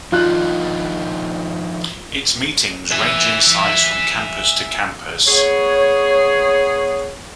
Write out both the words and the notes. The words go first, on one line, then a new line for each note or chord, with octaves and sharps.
Its meetings range in size from campus to campus.
F3 D4 D#4 F4 F#6
E5 G#5
B3 G#4 C#5